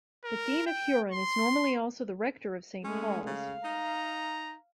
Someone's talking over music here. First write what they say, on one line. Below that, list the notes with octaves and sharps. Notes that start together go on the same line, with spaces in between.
The dean of Huron is normally also the rector of Saint Pauls.
A#4
G5
C6
G#3 A3 C#4
C#3 F5
D#4 A#5